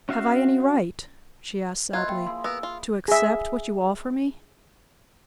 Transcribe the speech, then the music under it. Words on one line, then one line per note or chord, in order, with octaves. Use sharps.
"Have I any right," she asked, sadly, "to accept what you offer me?"
C#4 F#4 E5 F5
A#2 F3 E4 F4 D#5 F#6 G#6
G5
E4 G#4 C6
B3 A#4 E6
F4
G#4 E5